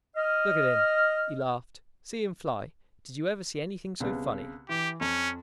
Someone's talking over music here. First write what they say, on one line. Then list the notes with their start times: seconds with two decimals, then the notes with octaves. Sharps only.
'Look at him,' he laughed; 'see him fly! did you ever see anything so funny?'
0.17 D#5 F6
4.00 C2 C#3 B3
4.69 E3 G4
5.01 F2 C#4